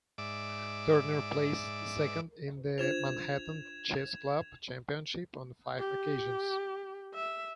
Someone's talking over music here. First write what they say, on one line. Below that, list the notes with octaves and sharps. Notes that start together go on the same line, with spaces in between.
Turner placed second in the Manhattan Chess Club championship on five occasions.
G#2 D5 E5 D6
D4 F4 C5 G#6 E7 F7
G4
E5